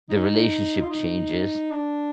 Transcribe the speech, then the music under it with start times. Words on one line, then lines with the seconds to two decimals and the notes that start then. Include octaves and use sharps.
the relationship changes
0.10 D#4
0.82 F4
0.90 D#4
1.71 D4